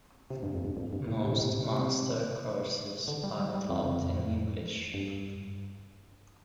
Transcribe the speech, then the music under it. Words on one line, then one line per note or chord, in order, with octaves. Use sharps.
Most master courses are taught in English.
C3
G2
F2
G2
F2
G2
A2
C3
A2
C3
C3
D3
G3
G3
G3
F2
F2
G2